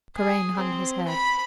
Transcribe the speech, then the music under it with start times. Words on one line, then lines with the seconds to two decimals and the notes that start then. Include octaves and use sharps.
Karain hung his head.
0.16 G#4
0.57 C4
1.07 B5